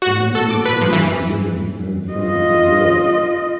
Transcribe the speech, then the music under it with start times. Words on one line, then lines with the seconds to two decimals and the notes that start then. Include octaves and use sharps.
A man on a phone and a woman are in front of a wall.
0.02 F#4
0.35 A4
0.50 D6
0.65 B4
0.81 F3
0.93 E3
2.13 F4 D#5